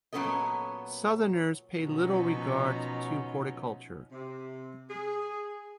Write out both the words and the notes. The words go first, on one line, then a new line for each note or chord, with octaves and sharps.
Southerners pay little regard to horticulture.
A#2 F#3 B3 C#4 A4 D#5
B2 F3 F#3 C#4 D#4
C3
G#4